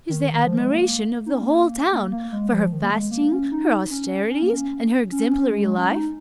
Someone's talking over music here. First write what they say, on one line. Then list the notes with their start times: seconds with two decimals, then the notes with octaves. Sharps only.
She is the admiration of the whole town, for her fasting, her austerities, and her exemplary life.
0.09 D#3
0.33 D#3
0.45 F3
0.59 G#3
0.72 A#3
1.26 D#4
1.32 C#4
1.42 A#3
1.92 A#3
2.12 A#3
2.32 G#3
2.52 F3
2.72 D#3
2.83 A#3
2.91 G#3
3.11 A#3
3.31 C#4
3.52 D#4
3.91 C#4
4.31 C#4
4.42 A#3
4.53 C#4
5.12 C#4
5.31 C#4
5.51 G#3
5.65 G#3
5.78 C#4
5.91 D#4